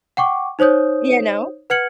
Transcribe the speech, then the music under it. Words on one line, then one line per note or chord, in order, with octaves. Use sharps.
You know?
F#5 G5 C#6 D6
D#4 C5 C#5 D#6 G6
B4 F#5 F6 G#6 C#7 F#7